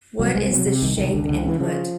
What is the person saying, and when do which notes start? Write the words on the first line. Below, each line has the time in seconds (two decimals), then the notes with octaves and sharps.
What is the shape input?
0.19 C2 F#3
0.35 C2 G#3
0.50 C3 F#3
0.66 C3
0.82 C2 D#3
0.97 C2 D#3
1.13 C#2 D3
1.24 C#2 D3
1.45 C#3 E3
1.60 C#3 F3